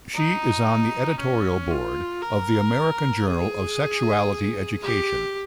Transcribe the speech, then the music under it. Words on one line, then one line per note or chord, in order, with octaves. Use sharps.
She is on the editorial board of the "American Journal of Sexuality Education".
D#4
C#4
F4
A#4
G#4
G4